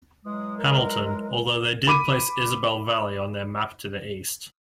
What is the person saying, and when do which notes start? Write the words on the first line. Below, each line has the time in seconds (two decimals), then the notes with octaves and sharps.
Hamilton, although they did place Isabel Valley on their map to the east.
0.25 E3 F#3 G#3 D#6
0.57 A#4
1.87 B5 D6 D#7